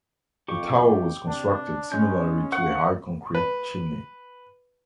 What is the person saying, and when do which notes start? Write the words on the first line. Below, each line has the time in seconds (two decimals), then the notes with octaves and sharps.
The tower was constructed similarly to a high concrete chimney.
0.48 F2 G4 C#6
1.27 C3 D4
1.92 G#3 C#4 G6
2.52 F5 F#5 C#6
3.35 B4